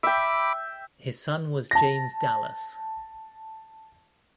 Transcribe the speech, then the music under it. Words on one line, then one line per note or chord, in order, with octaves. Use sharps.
His son was James Dallas.
E5 G5 B5 D6
A5 A#6